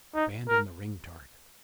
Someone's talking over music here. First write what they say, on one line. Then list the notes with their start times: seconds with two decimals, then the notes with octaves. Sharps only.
Abandon the ring target.
0.15 D#4
0.49 A#4